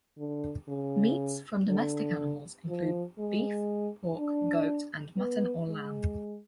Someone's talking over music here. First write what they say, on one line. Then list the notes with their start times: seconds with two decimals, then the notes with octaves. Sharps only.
Meats from domestic animals include beef, pork, goat and mutton or lamb.
0.18 D3
0.68 C#3
1.69 D3
2.68 F3
3.19 G#3
4.19 D4
5.18 B3
5.68 G#3